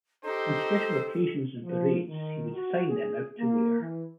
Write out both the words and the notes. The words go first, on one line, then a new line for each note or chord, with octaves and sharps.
On special occasions and parades he would sign them out to wear.
D#4 G4 A4 C5
F3
D#3
F#4
G#4
A#3
E3